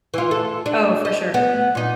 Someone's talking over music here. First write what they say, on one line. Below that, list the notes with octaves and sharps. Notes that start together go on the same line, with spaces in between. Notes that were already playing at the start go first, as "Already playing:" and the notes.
Oh, for sure.
E3 F4
A4
D4
D#5
B3
A#2 D#4